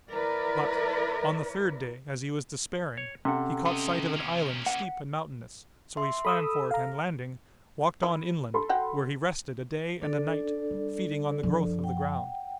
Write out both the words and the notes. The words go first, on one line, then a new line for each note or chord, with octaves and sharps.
But, on the third day as he was despairing he caught sight of an island steep and mountainous; so he swam for it and landing, walked on inland, where he rested a day and a Night, feeding on the growth of the ground.
E4 A#4 B4 D5
C#5
C3 C#4 A4 F#5
C#3 D#5
A#3 C#4
F#5
E5 C6
A4 B5 D#6 E6
F5 A#5
E4
A4 B5 C6
F#4 F#5 G5
C#4 D4 A4 D5
G3
F#2 F3
F#5 G5